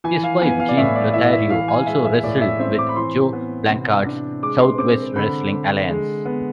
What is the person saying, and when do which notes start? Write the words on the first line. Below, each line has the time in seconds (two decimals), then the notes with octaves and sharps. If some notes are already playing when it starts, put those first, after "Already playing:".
His wife, Jean Lothario, also wrestled with Joe Blanchard's Southwest Wrestling Alliance.
0.04 E3 G#5
0.23 F5
0.41 B3 G#5
0.59 F5
0.69 D5
0.77 A2 E5
0.96 D5
1.14 E4 E5
1.33 E5
1.50 E3 F5
1.68 G#5
1.86 G#3 E5
2.05 E5
2.23 A2 D5
2.41 E5
2.59 C4 E5
2.78 D6
2.89 B5
2.96 E3 C6
3.33 B3
3.70 C3
4.05 D4
4.43 G#3 D6
4.60 C6
4.78 C4 D6
5.16 D3 B5
5.52 D3
5.89 G#3
6.25 B3